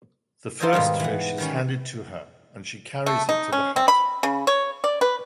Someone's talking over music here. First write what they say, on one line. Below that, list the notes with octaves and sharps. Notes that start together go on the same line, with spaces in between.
The first fish is handed to her, and she carries it to the hut.
D#4 F4 A4 C5 D#5 G#5
G#2 B2 D#3 G3
E3 F#5
D#3 G3 C#4
A3
D#4
C#4
C4
B5
C#3
C#5
D5
B4